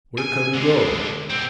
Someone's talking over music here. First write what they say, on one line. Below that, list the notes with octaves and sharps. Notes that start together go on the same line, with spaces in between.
Where could he go?
G#5
D3 G#3
B2 C4